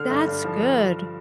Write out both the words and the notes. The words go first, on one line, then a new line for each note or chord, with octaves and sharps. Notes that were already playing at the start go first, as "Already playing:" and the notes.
That's good.
Already playing: D3 F6
G2
G2
F3